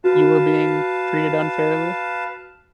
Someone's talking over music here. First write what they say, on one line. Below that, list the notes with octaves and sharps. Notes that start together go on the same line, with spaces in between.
you were being treated unfairly?
F#4 B4 F5 A5